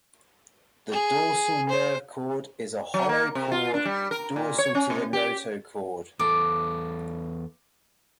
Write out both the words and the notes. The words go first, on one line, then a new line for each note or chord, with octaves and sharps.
The dorsal nerve cord is a hollow cord dorsal to the notochord.
G#4
C5
F#3
A#3
C3
F4
D4
G3
A#4
A#2
C#5
C#4
B2
G4
E2 A4 D6